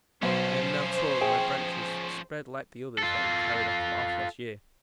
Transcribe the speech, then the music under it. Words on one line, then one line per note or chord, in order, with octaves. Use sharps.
I am now tall, and my branches spread like the others that were carried off last year!
B1 B2 F3 C#4 C5
G#4 E5 G5
F4 A4